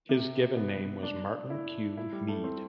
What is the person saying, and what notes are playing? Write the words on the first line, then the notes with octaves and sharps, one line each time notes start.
His given name was Martin Kew Meade.
C3
B3
D4
E4
E4
G3
A3
C4